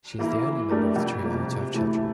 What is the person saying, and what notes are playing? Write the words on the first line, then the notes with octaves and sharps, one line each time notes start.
She is the only member of the trio to have children.
E3 A#3 E4
E3
A3 D4 G4 A#4
F2
C3 G3 A#3
C3
E3 A3 E4